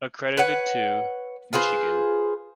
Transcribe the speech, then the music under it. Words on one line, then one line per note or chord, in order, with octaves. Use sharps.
Accredited to: Michigan.
B4 C#5 F#5
F4 G#4 B4 C5